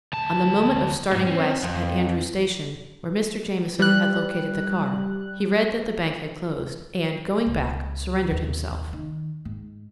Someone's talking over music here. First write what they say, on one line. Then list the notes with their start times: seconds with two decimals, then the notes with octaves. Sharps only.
On the moment of starting west, at Andrews Station, where Mr. Jamieson had located the car, he read that the bank had closed, and, going back, surrendered himself.
0.13 D2 A5
1.12 G#2 G3
1.27 C4 C#4
1.63 F2
3.79 G3 F#6
7.47 C#2
8.31 D#2
8.93 D#3
9.45 G#2